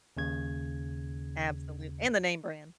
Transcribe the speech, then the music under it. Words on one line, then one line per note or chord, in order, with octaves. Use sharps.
absolute and the name-brand.
D#2 C#3 G#6